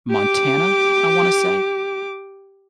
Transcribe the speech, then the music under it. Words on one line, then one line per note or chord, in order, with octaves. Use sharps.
Montana, I wanna say,
G4 D6